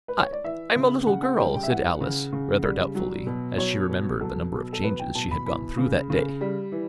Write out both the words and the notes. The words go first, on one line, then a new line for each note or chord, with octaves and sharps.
'I--I'm a little girl,' said Alice, rather doubtfully, as she remembered the number of changes she had gone through that day.
B4
C#5
D5
E3 E5
C#3
C#3 F#5
F#5
G3 G5
G5
E5
E3 F#5
C#3
C#3
G3
F#3
B2
F#3 C#5
B2
F#3 A4
B2
A4
F#3 B4
G5
B2 A5
B5
E3 B5
C#3
C#3
G3
E3